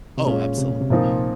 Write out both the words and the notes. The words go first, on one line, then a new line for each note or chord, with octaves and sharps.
Oh, absolutely.
C3
A#2 G#3 C#4 F4
C3
A#2
C3
A#2 F3 C4 D#4 A#4